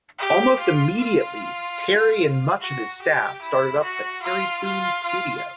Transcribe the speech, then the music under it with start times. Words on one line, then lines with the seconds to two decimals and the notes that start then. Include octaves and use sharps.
Almost immediately, Terry and much of his staff started up the Terrytoons studio.
0.18 G4
0.59 F4
1.00 F4
2.61 F#4
3.02 G4
3.42 E4
3.83 F#4
4.22 F4
4.63 F4
5.03 F4